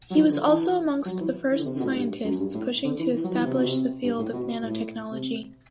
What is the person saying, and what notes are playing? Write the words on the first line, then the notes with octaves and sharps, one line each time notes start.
He was also amongst the first scientists pushing to establish the field of nanotechnology.
F#3
E3
D3
E3
F#3
E3
E3
D3
C3
D3
B2
A2
G2
F#2
G2
A2
D3
E3
E3
F#3
E3
C3
B2
C3
G2
A2
B2
B2
A2
C3